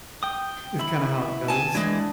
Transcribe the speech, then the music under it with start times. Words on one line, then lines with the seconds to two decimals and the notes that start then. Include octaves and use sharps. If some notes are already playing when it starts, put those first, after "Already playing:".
is kinda how it goes
0.23 G5 D#6
0.79 E4 B5
1.48 G#5 A5
1.75 E3 G#3 D4